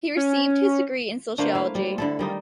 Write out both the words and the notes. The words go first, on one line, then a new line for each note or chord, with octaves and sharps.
He received his degree in Sociology.
C#4
D3 A3 A#3 C5
E4 F5
G3
D3 E4 A4
D#3 G3 D#4